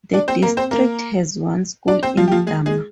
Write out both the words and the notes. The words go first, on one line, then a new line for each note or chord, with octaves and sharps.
The district has one school in Damar.
D4 D5
C4 C5
A#3 A#4
C4 C5
A#3 A#4
D4 D5
C4 C5
F3 F4
G4
F3 F4
G#3 G#4
G#3 G#4